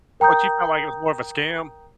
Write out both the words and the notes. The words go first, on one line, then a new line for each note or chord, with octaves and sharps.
But you felt like it was more of a scam?
A#4 G5 A#5 D#6 G6